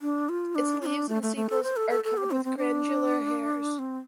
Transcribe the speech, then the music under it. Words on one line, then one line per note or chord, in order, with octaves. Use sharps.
Its leaves and sepals are covered with glandular hairs.
D4
F4
D4
F4
D4
A3
A3
A3
A4
C5
A4
A4
A4
G4
C4
C4
D4
C4